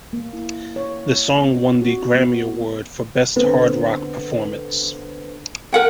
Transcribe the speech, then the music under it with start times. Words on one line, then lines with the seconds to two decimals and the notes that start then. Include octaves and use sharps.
The song won the Grammy Award for Best Hard Rock Performance.
0.13 A#3
0.33 E4
0.76 C#5
1.42 C4
1.82 F#4
2.15 B3
3.36 D3 B3 C4
5.72 A#4 F#5 G5